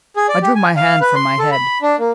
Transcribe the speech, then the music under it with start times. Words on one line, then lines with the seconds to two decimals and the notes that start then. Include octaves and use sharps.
I drew my hand from my head.
0.16 G#4
0.29 D5
0.42 G4
0.55 G#5
0.76 F5
1.01 B4
1.15 C6
1.39 A4
1.52 B5
1.82 D4
1.99 A#3